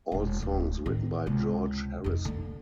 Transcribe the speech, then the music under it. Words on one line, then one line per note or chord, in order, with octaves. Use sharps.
All songs written by George Harrison.
E1 A#2
D1 D#4
A2 D#3
C#2 C3
F2 D#4
D3 A#3